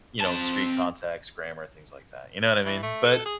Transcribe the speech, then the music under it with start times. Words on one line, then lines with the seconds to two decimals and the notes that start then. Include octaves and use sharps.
you know, street context, grammar, things like that, you know what I mean? But
0.20 C4 A5
2.65 E3
2.83 A3
3.04 A4
3.26 G#4